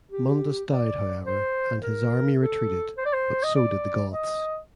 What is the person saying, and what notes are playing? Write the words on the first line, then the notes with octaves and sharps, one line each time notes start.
Mundus died however and his army retreated but so did the Goths.
G4
D5
C5
A#4
A4
C5
D5
C5
D#5
D5
D#5